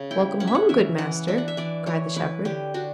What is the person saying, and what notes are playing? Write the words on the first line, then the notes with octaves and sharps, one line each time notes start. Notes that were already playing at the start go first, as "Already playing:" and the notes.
"Welcome home, good master!" cried the shepherd.
Already playing: C#3
E4 G5
C#4 F#5
E5
F#5
E3 E5
E3 F#5
D4 E5
F#5
E5
E3 D5
E3 C#5
E4 B4
D3 G4
D4 F#4